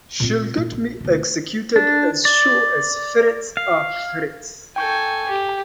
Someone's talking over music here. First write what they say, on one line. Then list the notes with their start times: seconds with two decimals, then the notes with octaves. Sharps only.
She’ll get me executed, as sure as ferrets are ferrets!
0.20 A#2 C4
0.57 A#2
0.72 A#1
1.00 D2 B2
1.76 D4
2.25 D5
3.57 F5
4.76 A4 G5 G#5 C#6 G6
5.29 G4